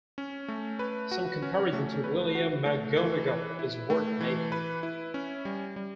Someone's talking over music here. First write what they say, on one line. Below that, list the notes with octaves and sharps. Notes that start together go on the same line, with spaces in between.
Some comparison to William McGonagall is worth making.
C#4
A3
B4
F#4
C#4
A3
B4
F#4
A3
E3
B4
E4
A3
E3
B4
E4
C#4
G3
G3